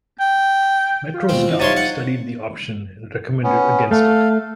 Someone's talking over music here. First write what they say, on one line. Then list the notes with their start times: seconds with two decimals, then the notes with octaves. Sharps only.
Metro staff studied the option and recommended against it.
0.20 G5
1.14 F4
1.29 D#2 G#2 B2 C4
1.47 E3 D#4
1.59 C3 D#4 F4 C#5 C6 A6
1.77 F#5
3.43 B3 C#4
3.91 A3 A4 F5